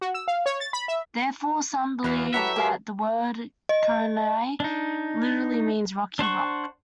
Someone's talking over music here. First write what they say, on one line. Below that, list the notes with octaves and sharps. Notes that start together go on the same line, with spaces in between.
Therefore, some believe that the word Kranai literary means "rocky, rock".
F#4
E6
F5
C#5
A6
B5
E5
E2 F#4 B4 F5
F#3 E4 G4 A4 E5 F#5 A5 D6
G4 G#4 A#4 F5
D#5
D4 D#4
D4 C5 F#5 C#6